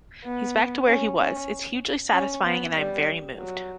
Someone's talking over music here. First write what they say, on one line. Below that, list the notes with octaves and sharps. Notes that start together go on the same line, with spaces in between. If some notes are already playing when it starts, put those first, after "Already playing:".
He's back to where he was; it's hugely satisfying and I am very moved.
B3
C#4
C#4
C#4
B3
G3
F#3